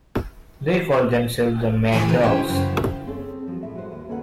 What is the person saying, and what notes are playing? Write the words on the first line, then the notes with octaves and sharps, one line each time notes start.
They called themselves the Mad Dogs.
D3 E3 G#4 A4 G5 G#5
C#3 E3 B4 C5 A#5
C#4 E4 F#4 G#4 C5 G5
F#2 C#3 E4
C4 G#4 A4 C#5
F3 F#4
A2 A3 E5
F#4 B4 C5
D#2
A#3 C#4 A4 B4 C#5 F#5